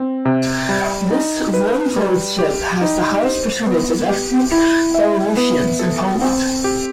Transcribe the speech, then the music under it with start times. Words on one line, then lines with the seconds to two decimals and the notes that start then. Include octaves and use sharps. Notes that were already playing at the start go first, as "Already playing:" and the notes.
This voivodeship has the highest percentage of ethnic Belarusians in Poland.
Already playing: C4
0.25 C3
0.69 G3
1.11 D#4
1.54 B4
1.96 G3
2.39 G4
2.81 D#4
3.24 C5
3.66 B3
4.09 G4
4.52 E4
4.94 E5
5.37 B3
5.79 A4
6.21 C4
6.64 G4